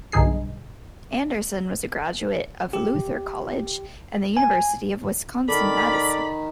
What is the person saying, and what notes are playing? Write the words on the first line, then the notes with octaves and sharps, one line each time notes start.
Anderson was a graduate of Luther College and the University of Wisconsin-Madison.
B1 G2 D3 D#4 G#4 C7
G4
G#5
D#3 A4 D5 B5